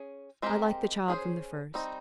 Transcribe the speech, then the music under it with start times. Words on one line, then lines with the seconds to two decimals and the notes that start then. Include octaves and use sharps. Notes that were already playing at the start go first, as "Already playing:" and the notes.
I liked the child from the first.
Already playing: C#4 G#4
0.42 G#3 C4 G4 A#4
1.08 C#4 G#4 C5
1.74 G3 C4 D#4